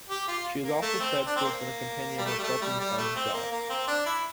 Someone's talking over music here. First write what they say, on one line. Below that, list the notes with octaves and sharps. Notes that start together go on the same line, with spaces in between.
She is also said to have been a companion of Sultan Sanjar.
G4
F4
A#3
A3
C4
D4
C4
A#3
G3
A3
G3
A3
G3
G3
A3
C4
A#3
A#3
C4
D4
E4